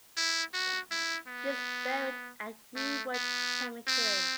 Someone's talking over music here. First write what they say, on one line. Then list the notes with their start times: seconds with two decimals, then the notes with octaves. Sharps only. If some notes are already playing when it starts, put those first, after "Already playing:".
She is buried at Greenwood Cemetery.
0.17 E4
0.54 F#4
0.91 E4
1.28 B3
2.76 A3
3.13 B3
3.88 C4